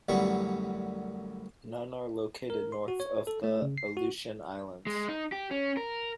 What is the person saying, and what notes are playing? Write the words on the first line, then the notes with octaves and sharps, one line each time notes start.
None are located north of the Aleutian Islands.
A1 F#2 D3 G3 B3 C#6
A#4
C6
F#4
C#5
A4
A3
C#3
C7
F#4
G#3
D#4
G4
C#4
A#4